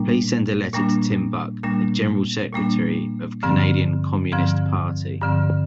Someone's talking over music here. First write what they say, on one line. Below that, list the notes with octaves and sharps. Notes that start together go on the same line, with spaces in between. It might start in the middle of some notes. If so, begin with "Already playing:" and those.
Please send a letter to Tim Buck the General Secretary of Canadian Communist Party.
Already playing: A#2 G3 A#3 D4
A#2 G3 A#3 D4
A#2 G3 A#3 D4
A#2 G3 A#3 D4
G2 D3 F3 C4
G2 D3 F3 C4
G2 D3 F3 C4